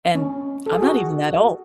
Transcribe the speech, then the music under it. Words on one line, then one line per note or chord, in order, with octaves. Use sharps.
and I'm not even that old.
C#4
A4
G#4
F#4